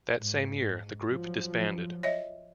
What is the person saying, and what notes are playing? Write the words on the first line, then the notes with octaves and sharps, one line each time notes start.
That same year, the group disbanded.
G#2
F3 F#3
C#5 D#5 E5